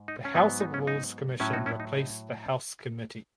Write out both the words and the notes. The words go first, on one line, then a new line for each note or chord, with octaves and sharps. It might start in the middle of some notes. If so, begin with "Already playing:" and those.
The House of Lords Commission replaced the House Committee.
Already playing: G#2
D#4
C#4
G#2 F#3 B3 D#4
D#4
C#4
D#4
A2 F#3 C#4 E4
D#4 F#4
C#4 E4
D#4
D#4